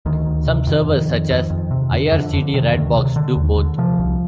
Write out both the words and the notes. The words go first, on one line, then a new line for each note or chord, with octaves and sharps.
Some servers, such as ircd-ratbox, do both.
D2 D#3
D2
C3
F2 D#3
F2
F2
F2
F2
C3
F2 D3
F2 D3
F2 D3
C3 D#3
D2
C3
D3
D#2
D3
C3 F3
C2